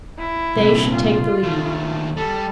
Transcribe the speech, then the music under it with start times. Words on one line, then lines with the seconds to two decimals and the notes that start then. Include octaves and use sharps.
They should take the lead.
0.18 E4
0.56 C2 A#2
0.91 F4
1.44 D#2 A3
2.17 G3 A4